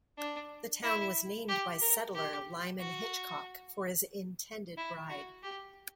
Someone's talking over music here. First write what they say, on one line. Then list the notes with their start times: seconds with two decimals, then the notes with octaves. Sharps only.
The town was named by settler Lyman Hitchcock for his intended bride.
0.18 D4
0.83 E4
1.49 G4
1.82 A#4
2.15 G4
2.80 F#4
4.77 E4
5.10 F#4
5.43 G4